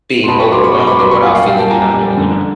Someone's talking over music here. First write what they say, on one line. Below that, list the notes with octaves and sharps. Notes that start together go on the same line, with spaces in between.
being overwhelmed or without feeling, like, you're not doing enough.
C6
B2 A5 B5
B5 C#6
F#3 C6 D6
B5 C#6
B2 D6
B5 C#6
F#3 C6 D6
B5 C#6
A#2 F#5 G#5
F5 G5
G3 F5 G5
G5 A5
A#2 G#5 A#5
G3
D3